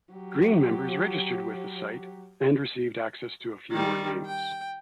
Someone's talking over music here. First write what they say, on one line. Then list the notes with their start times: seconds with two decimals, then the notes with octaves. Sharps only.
Green members registered with the site and received access to a few more games.
0.13 F#3 G4
3.71 D#3 G3
4.26 G5